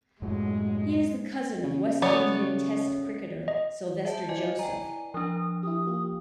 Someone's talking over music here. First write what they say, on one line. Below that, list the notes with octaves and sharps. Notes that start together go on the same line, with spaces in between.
He is the cousin of West Indian Test cricketer Sylvester Joseph.
F#2 A2 F#3 G#3
C#3
F#3 A3 B3 C#5 D5 G#5 D#6
D#5
G#4 C5 E5 A5
E4 B4 D5 D#5 G#5
G5 G#5 A#5
F3 D4 D#6
E4 G4 D#6
A#3 F4 G4